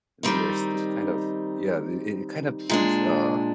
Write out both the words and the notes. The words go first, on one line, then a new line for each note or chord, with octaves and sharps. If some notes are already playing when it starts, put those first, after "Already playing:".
And then there's this kind of Yeah, it it kind of becomes, uh,
D#3 G3 C4 D#4
A#2 G#3 D4